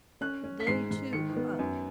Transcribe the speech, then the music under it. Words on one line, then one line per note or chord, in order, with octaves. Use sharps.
They, too, were up.
C#4 F#6
C#4
B6
G#2 C7
G#2
D#3 C#7
B3
F#2